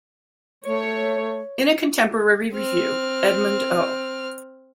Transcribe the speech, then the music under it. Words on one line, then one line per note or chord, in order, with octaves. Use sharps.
In a contemporary review, Edmund O.
A3 C#5
C4 F6